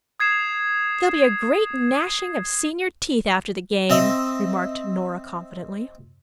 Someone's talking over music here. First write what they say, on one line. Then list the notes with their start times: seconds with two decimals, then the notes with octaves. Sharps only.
"There'll be a great gnashing of senior teeth after the game," remarked Nora confidently.
0.20 D#6 G#6 C7 E7
3.90 C4 D#5 E5